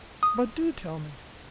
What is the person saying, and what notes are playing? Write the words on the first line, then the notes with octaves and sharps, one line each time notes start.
"But do tell me!"
D#6